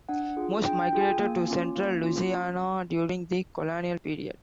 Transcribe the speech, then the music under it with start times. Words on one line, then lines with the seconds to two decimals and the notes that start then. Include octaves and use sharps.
Most migrated to central Louisiana during the colonial period.
0.09 D4 F#5
0.37 F4 G#4
0.64 D4 G5
0.83 G5
0.93 F4 G#4
1.01 G#5
1.20 A#3
1.48 C#4 F4
1.75 A#3
2.03 C#4 F4